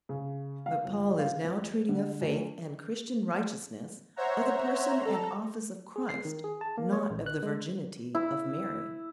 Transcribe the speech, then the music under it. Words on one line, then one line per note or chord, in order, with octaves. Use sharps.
But Paul is now treating of faith and Christian righteousness, of the person and office of Christ, not of the virginity of Mary.
C#3
F5
G1
F5
F2
D3
D2
C5 C#5 E5 F#5 A#5
A4 A#5
G#4
C7
D#3
G#4
A5
A#3
C#5
A1
F#6
G#3
E4